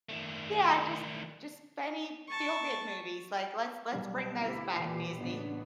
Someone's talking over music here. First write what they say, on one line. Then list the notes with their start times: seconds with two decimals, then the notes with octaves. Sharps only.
yeah, just just funny feel-good movies, like, let's let's bring those back, Disney,
0.09 D#3 A3
2.28 A5 C#6
3.92 B1 G3
4.40 D2 E4 G4
4.76 E1 A#2 E3 G4 C7
5.20 A1 C#3 B3 D4